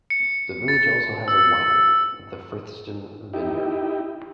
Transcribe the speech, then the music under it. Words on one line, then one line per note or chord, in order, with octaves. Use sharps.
The village has also a winery, the Frithsden Vineyard.
C#7
A6
E6
D#4 E4 G4